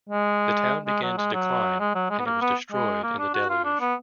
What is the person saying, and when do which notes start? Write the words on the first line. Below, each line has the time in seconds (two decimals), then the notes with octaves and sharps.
The town began to decline, and it was destroyed in the deluge.
0.09 G#3
0.87 G#3
1.03 F#3
1.18 G#3
1.33 F#3
1.80 G#3
1.95 F#3
2.10 G#3
2.19 B3
2.26 A#3
2.42 B3
2.72 G#3
3.03 A#3
3.19 D4
3.34 F#4
3.49 F4
3.65 D4
3.81 B3